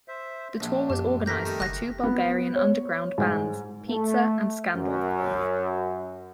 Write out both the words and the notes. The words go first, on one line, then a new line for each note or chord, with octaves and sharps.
The tour was organized by two Bulgarian underground bands - Pizza and Scandal.
C5 E5
A#1 D4
F#2 G4
A3 G4 A#4 G6 A#6 B6
D#3 G3
F#1 F#6 A#6
B3
C#5
G#2
A3
F#2